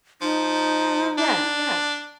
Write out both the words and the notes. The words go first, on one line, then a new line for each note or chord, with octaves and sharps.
Yeah, yeah.
F3 D#4
D4